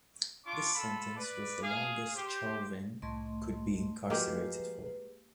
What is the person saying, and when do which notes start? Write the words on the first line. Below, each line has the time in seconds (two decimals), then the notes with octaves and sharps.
This sentence was the longest Chauvin could be incarcerated for.
0.45 D4 F4 C#6 D6
0.74 F4 A4 A5 B5
1.17 B4 D5
1.62 G#4 F5
2.15 G4 C5
3.02 C2 A2 A3 D#5 C6
4.10 F3 G#3 A#3 F#4 G4 A#4 B4 C7